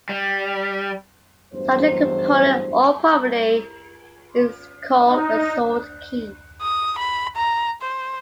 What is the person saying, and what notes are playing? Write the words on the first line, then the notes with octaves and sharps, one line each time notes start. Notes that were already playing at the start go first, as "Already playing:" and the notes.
Such a component or property is called a sort key.
G3
A1 E2 G2 F#3 G#3 C5
D#4
D#6
B5
A#5
C5